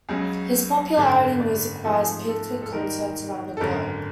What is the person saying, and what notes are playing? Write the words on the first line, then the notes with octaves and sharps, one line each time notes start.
His popularity, music wise, peaked with concerts around the globe.
C#2 C#3 F#3 G#4
G#1 F#2 D3
D5
G#2 F3 A3 C4 A4
G#4
A4
A4
G#2 D#3 G3 A#4
A4
G#1 F#2 D3 A#4